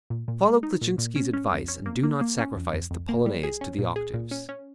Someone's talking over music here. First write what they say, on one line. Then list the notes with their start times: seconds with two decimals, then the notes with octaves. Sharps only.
Follow Kleczynski's advice and do not sacrifice the Polonaise to the octaves.
0.10 A#2
0.28 A#2
0.46 G#3
0.63 D#4
0.81 A#2
0.98 A#2
1.16 C#4
1.33 C#4
1.51 F2
1.68 C#4
1.86 A#3
2.03 A#3
2.21 A#3
2.38 C#4
2.56 F2
2.74 F2
2.91 F2
3.09 A#3
3.26 G3
3.43 G#4
3.61 C#4
3.79 A#2
3.96 G#4
4.14 A#2
4.31 C#4
4.49 C#4